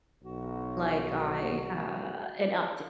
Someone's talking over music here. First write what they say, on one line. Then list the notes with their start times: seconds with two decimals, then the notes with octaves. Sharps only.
like, I, uh an update.
0.24 B1 F#4